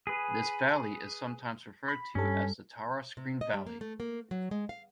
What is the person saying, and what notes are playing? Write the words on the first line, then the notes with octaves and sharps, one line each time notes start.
This valley is sometimes referred to as the Tara-Skryne Valley.
G#4 B4
B5
G2 G3 C#4 A4
C3
D#5
G3
A#3
A3
A#3
F#3
G#3
F5